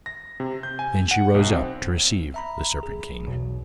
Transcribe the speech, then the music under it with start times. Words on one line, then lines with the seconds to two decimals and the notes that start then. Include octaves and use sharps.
Then she rose up to receive the Serpent King.
0.06 A#6
0.40 C3
0.63 G6
0.79 G#5
1.11 F#5
1.35 B1
1.52 C4
2.34 E5 A#5 B5
2.83 G#4
3.27 B1 E2 B2